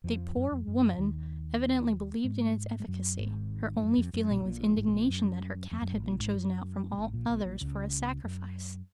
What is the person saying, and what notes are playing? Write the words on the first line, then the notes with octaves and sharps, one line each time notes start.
The poor woman evidently believed in its efficacy; her only feeling was indignation that her cat had been chosen out from all others for a sacrifice.
F2 F3
F#2
F2
F#2
D#2 D#3
G#2 G#3
A#3
G#3
F#2 F#3
G#1 G#2
G#2
F#2
F2
F#2
A#1 A#2
G#2
A#1 A#2
G#1 G#2
B2
A#1 A#2
F#2
F2
F#2
G#1 G#2
A#1 A#2
G#1 G#2
F#2
A#2
G#1 G#2
A#1 A#2
B1 B2
A#1 A#2
C#2 C#3
F#2